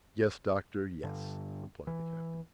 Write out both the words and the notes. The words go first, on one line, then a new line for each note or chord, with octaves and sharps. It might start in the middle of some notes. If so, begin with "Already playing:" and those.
"Yes, Doctor, yes," replied the captain.
G2 D3
E3